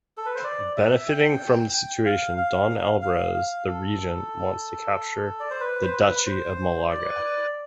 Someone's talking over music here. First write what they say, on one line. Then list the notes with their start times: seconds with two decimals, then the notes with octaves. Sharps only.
Benefiting from the situation Don Alvarez the Regent wants to capture the Duchy of Malaga...
0.17 A4
0.26 B4
0.35 C5
0.44 D5
0.77 E5
1.09 G5
1.74 G5
2.05 F5
2.38 F5
3.02 F5
3.35 F5
3.67 A4
5.40 D5
5.50 C5
5.60 B4
5.83 C5
5.93 B4
6.16 B4
6.26 C5
6.90 D5